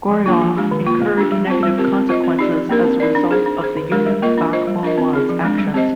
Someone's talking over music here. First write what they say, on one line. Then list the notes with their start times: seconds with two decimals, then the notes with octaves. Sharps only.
Goryeo incurred negative consequences as a result of the eunuch Bak Bulhwa's actions.
0.11 F3
0.26 A#3 D4 F4
0.41 F3
0.57 G#3 D4 G4
0.71 D#3
0.86 A#3 F4
1.02 G#3
1.17 D4 G4
1.32 G3
1.47 C4 F4 C5
1.63 G3
1.78 C4 G4 A#4
1.93 C4
2.09 F4 C5 D#5
2.24 C4
2.39 D#4 G4 D5
2.54 F3
2.69 A#3 D4 G4 A#4
2.85 C4
3.00 D#4 A#4 D5
3.15 D4
3.31 G#4 C5
3.46 D4
3.61 G#4 C5
3.77 D#3
3.91 G#3 D4 G4 A#4
4.06 G3
4.22 A#3 F4 A#4 D#5
4.38 D4
4.53 F4 C5 D#5
4.67 G3
4.83 D4 F4 A#4 D#5
4.98 C4
5.13 D#4 G#4
5.29 F3
5.44 G#3 D4
5.58 G3
5.74 C4 G4 C5 D#5